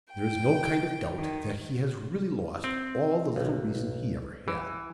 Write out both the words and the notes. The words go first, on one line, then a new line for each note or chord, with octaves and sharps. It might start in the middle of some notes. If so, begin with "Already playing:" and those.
There is no kind of doubt that he has really lost all the little reason he ever had.
G5
D#3
C4
B1
E3